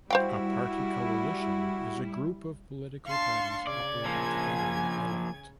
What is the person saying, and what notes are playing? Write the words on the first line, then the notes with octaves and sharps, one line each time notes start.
A party coalition is a group of political parties operating together in parliament.
G3 E4 F#4 C5 F5 G5
D4 F5 A5 C6 C#6
C#3 D5 G#6
F3 A#3 G#5